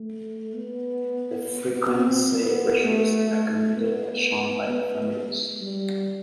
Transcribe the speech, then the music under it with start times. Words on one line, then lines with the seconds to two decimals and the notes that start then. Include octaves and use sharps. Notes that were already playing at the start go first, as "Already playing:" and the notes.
The frequency ratios are computed as shown by the formulas.
Already playing: A3
0.54 B3
1.93 C4
2.38 B3
2.84 A3
3.31 A3
3.77 B3
4.69 B3
5.62 G3